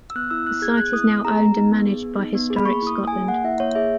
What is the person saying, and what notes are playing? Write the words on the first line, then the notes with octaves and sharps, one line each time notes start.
The site is now owned and managed by Historic Scotland.
E6
B3 F#6
E4 E6
B3 F#6
G#4 G#6
B3 F#6
E4 D#6
B3
G#4 A#5
B3
D#4
B3
G#4
B3
D#4
B3
G#4
B5
A#3 C#6
E4 D#6
A#3
G#5
G#4
A#3 F#5
E4 E5
A#3 C#5
G#4 E5